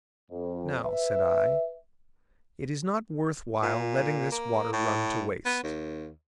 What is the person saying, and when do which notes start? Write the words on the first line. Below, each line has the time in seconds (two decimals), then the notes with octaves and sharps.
"Now," said I, "it is not worth while letting this water run to waste."
0.31 F2
0.83 B4 E5
3.62 A#2
4.32 A#3
4.73 A2
5.45 B3
5.63 D#2